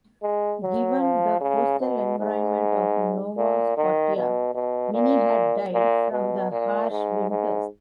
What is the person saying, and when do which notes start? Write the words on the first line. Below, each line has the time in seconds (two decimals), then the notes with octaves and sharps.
Given the coastal environment of Nova Scotia, many had died from the harsh winters.
0.23 G#3
0.63 F#3
1.01 F3
1.41 C#3
1.80 B2
2.19 G#2
3.37 A#2
3.77 D#3
4.16 B2
4.54 B2
4.94 A#2
5.73 A#2
6.11 B2
6.52 A#2
6.91 G#2
7.30 G#2